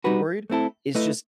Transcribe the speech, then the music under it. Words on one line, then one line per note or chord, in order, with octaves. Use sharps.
worried, is just
G3 D#4 F#4 B4
A3 C4 E4 A4
A3 E4 B4 D#5